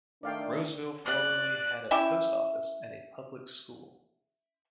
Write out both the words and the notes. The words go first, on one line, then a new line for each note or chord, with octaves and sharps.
Roseville formerly had a post office and a public school.
D#3 A3 D4 D5 F5 G5
D5 F#6
C#4 E4 G4 E5